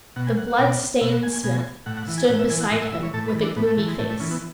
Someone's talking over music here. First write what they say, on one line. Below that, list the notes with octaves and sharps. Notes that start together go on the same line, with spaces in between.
The blood- stained smith stood beside him with a gloomy face.
B2 F#5
G#5
F#5
F#5
B2 D5
B2 E5
F#5
G#5
G#5
B2 G#5
A2 F#5
F#5
E3
G#5
A2 F#5
E5
E3 G#5
F#5
A2 F#5
E5
E3 E5
C#5
A2 A4
B4
E3
D4
A2 B3
A3
E3 A3
G#3
A2 A3
A3
E3 C#4
B3